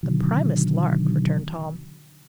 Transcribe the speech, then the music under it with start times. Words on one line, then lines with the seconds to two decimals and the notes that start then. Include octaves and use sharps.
"The primest lark," returned Tom.
0.03 B2 D3 D#3 F#3